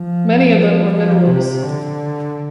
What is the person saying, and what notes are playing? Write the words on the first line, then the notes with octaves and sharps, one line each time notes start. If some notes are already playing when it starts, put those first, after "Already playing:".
Many of them are minerals.
Already playing: F3
F3
C3
D3